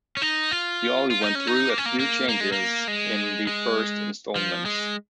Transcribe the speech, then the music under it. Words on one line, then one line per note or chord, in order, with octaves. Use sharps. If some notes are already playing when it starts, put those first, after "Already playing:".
The Alley went through a few changes in the first installments.
C#4
D#4
F4
F4
D#4
C#4
D#4
A#3
C#4
A#3
A#3
A#3
G#3
A#3
G#3
G#3
F3
G#3